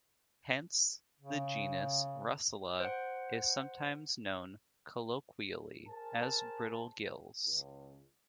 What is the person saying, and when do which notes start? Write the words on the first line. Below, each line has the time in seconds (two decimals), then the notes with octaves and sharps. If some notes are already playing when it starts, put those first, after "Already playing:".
Hence the genus "Russula" is sometimes known colloquially as "brittle gills".
1.20 C#3
2.80 C5 F#5
5.88 G#4 A#4 C5 A5
7.45 C#2